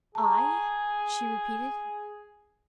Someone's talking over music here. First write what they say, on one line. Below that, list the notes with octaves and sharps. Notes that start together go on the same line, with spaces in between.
"I?" she repeated.
G#4 A5 A#5 C#6